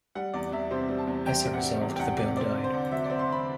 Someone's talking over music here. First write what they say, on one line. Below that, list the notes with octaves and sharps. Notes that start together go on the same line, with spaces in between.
As a result, the bill died.
G3 F#5
E2 D5
E2 E5
C3 C5
G3
A5
E2
E2 G5
C3
F#5
G3
E2
G5
E2 F#5
C3 D5
C4 D5
D3
C5
D3
F#3 E5
C4 D5
C6
D3 B5